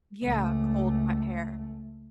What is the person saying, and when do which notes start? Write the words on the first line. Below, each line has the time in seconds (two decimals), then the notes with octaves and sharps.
Yeah, cold, wet hair.
0.22 C#2 A3